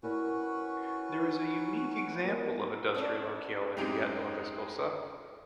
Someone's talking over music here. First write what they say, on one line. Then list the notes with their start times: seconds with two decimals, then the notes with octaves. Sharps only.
There is a unique example of industrial archaeology at Torviscosa.
0.03 C#4 E4 F#4 A#4 B4 D5
1.22 D#4
2.24 B3 A#4
2.94 C#4 D4
3.77 F#2 G#3 C4 D#4 G4 G#4 G5 F7